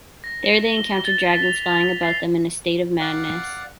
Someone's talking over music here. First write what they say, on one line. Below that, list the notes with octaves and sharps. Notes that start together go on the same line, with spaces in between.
There they encounter dragons flying about them in a state of madness.
A#6
E7
G7
A6
B6
F7
F7
C7
D5 F5 F#5